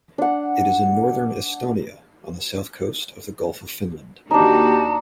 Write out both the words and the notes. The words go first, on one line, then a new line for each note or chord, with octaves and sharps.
It is in northern Estonia, on the south coast of the Gulf of Finland.
D4 F#5
D#2 D#3 D4 D#4 F#4 G4 A5